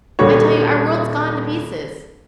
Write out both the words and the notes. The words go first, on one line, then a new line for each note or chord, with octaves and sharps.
I tell you--our world's gone to pieces.
D#1 D3 G3 F#4 C#5